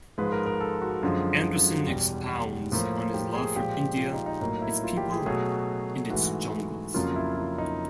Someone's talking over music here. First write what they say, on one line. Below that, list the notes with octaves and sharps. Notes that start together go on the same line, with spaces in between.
Anderson expounds on his love for India, its people, and its jungles.
G#2 F3 G#3 B4
A#4
A#4
A4
F#4
F#2 D3 F3 G#3 F4
F#4
E2 B2 G3 G4
A2 F3 A#3
G4
G#4
A#2 F3 G#3 G4
F4
D#4
D#4
A2 F#3 A#3 D#4
E4
F4
G4
G#4
B2 F#3 A3 G#4
G#2 E3 A3 F#4
F2 C#3 F#3 A#3 F4
E4
F4
D#4